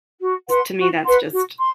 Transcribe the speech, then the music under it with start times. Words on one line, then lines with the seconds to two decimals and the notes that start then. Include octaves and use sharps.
to me that's just
0.21 F#4
0.47 B4 F#5 C6
0.76 F#4
1.04 B4 F#5 C6
1.31 F#4
1.58 C6